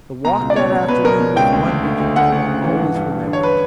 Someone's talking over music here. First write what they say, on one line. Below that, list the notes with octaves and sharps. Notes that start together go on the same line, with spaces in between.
The walk that afternoon was one which Dora always remembered.
B2 A#5
C#2
D5
B2 C#5
B2
B2 B4
B2 A#4
B2
C#2 G5
D2
D2
D2
D2
D2 F#5
D2
C#3
E3
G2
G2
G2
D3
C#5
B4